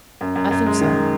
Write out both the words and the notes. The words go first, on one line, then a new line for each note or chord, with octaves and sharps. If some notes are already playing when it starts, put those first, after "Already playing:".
"I think so."
F#2
F#2
F#2
G#3
D#3